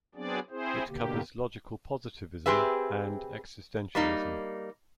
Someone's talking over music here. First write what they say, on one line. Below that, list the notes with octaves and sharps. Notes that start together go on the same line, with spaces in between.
It covers Logical positivism and Existentialism.
F#3 B3 C4 D4 G#4 D5
C4 E4 G#4 C5
B2 D3 A#3 G4
C4 G4 G#4 B4 E5
G3 A#3 D#4